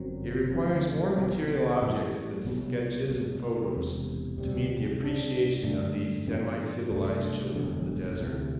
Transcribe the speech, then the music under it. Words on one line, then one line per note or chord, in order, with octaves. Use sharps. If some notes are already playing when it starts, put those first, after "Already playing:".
It requires more material objects than sketches and photos to meet the appreciation of these semi- civilized children of the desert.
Already playing: G1 F#2 F#3 C4
D2 D3 F#3 C4
B1 B2 F#3 C4
A1 A2 E3 G3
C2 B2 F#3 B3
C2 B2 F#3
E1 E2 C3
D2 C3 G3
C2 C3 G3 D4
G2 D3 A3 D4
G2 E3 B3 D4
C2 B2 A3 D4
E1 E2 D3
D2 C3 E3